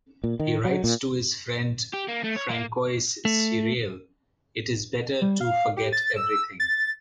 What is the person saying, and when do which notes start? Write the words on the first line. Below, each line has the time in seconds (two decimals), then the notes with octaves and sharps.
He writes to his friend Francois Seurel: "It is better to forget everything".
0.24 A#2
0.40 D#3
0.65 F#3
0.84 A#2
1.93 G4
2.08 A#3
2.24 A3
2.37 C#5
2.50 A#3
3.25 A3
5.22 G3
5.41 F5
5.77 G4
5.93 A6
6.16 E6
6.60 A6